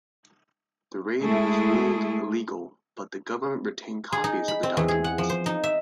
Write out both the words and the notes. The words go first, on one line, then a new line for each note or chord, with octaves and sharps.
The raid was ruled illegal, but the government retained copies of the documents.
G#3 A3 E4 G#4
G#4
D#4
B5
C4
E2
G#4
F#5
F3
C5
D#4
E5